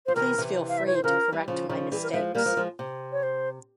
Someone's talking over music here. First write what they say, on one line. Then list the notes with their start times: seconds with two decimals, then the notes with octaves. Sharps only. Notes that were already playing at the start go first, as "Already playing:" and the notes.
Please feel free to correct my mistakes.
0.06 F3 C5
0.16 C3 E3 A#4
0.38 C3 E3
0.69 F5
0.78 E5
0.86 C#5
0.95 C5
1.04 C#3 F3 A#4
1.32 E3 G3
1.48 C#3 F3
1.69 C#3 F3
1.92 E3 G3 G#4
2.03 A#4
2.13 F3 G#3 E5
2.35 G3 A#3 A#4
2.46 F3 G#3
2.57 F3 G#3
2.79 C3
3.12 C#5
3.23 C5